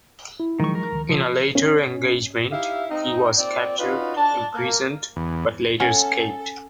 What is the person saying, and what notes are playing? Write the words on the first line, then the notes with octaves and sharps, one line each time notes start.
In a later engagement, he was captured, imprisoned, but later escaped.
E4
D#3 F3 F#3 G#3 C#6
A#4
D2 D#3
C3 F3
C#4
D#4 E4 G4 E5 F5
C4 D#4
A#2 C4 D5
C#4 D#4 F4 F#4 B4
D4 A5
A#3
E2
C#4 A4 F#5 G#5